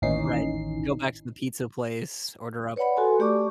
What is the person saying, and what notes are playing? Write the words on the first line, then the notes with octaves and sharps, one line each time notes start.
Right, go back to the pizza place, order up D
A1 D#2 E3 C#4 D#4 C7
B4 C#5 D5 F#5 B5
F#4 A4 G#5 C6
A3 G4 D5 C#6 D6